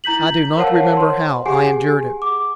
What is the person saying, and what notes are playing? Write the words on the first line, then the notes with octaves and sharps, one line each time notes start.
I do not remember how I endured it.
E4 A#5 G6 B6 F#7
A#4 C5 C#5 F5 F#5 A5
C6
G4 G#4 F#5 G#5
D6